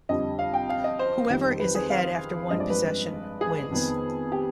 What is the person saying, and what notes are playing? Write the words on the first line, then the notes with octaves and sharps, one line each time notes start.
Whoever is ahead after one possession wins.
F2 D3 G3 D#5
F5
G5
F5
D#5
C5
F2 D#3 G3
B4
G#4
F5
G2 F3 G#3 C4 D#5
D5
B4
G#4
F2 D#3 B3
G4